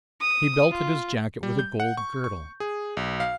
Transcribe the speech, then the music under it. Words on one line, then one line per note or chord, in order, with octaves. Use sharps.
He belted his jacket with a gold girdle.
D#6
F4
G3
G6
F#5
C#6
C#6
G#4
B1
F5